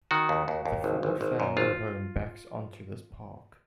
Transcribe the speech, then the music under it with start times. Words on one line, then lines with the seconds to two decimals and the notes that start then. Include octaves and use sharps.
The Ford family home backs onto this park.
0.11 D#3 F#4
0.29 D#2
0.48 D#2
0.66 D#2
0.84 G#1
1.03 G#1
1.21 G#1
1.40 F#2
1.57 G#1 F4